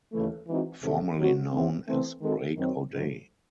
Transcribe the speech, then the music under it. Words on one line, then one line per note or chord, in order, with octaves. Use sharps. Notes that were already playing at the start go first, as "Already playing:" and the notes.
Formerly known as Break O'Day.
D#2 C#3 E3 A3
E3 G#3 C4 D#4 F#4
E2 C3 D#3 A3
D#3 F#3 C4 F#4
E2 C#3 E3 C4
E3 A3 C4
D#3 G#3 C4 F#4 A4
F#2 D#3 F#3 C4
G#2 F#3 A3